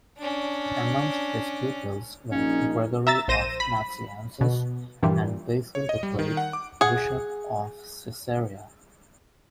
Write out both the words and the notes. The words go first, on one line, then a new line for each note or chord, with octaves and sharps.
Amongst his pupils were Gregory of Nazianzus and Basil the Great, bishop of Caesarea.
C#4 D4
A#1 A#3 C#4 D#4
E5 A#5 E6 A6
A#1 C5 A#6 D#7 E7
B5
B2
G2 A#2 E3 G3
C#5
D#5
G3
D#3
F#5
D6
G#4 F#5